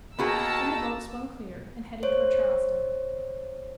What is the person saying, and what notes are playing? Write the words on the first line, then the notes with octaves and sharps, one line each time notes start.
Then the boat swung clear and headed toward Charleston.
D#2 B3 F#4 G#4 A5 A#5 E6
C5 C#5